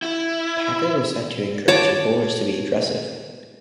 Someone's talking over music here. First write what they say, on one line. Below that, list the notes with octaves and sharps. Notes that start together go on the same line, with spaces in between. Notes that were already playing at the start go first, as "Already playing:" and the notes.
Packer was said to encourage his bowlers to be aggressive.
E4
C#5 A5 D6